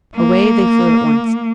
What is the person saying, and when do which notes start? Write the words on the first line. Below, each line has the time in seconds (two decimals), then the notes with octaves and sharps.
Away they flew at once.
0.16 A#3